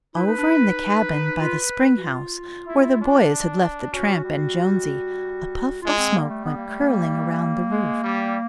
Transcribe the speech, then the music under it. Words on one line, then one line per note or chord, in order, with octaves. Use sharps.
Over in the cabin by the spring-house where the boys had left the tramp and Jonesy, a puff of smoke went curling around the roof.
E4 B4
D#4
D4
D#4
F4
F#4
F4
E4
D4
C#4 F#4
G3
G#3 F4
C4
G3 A#3
A3
B3
A#3
A3
A#3
G#3
G3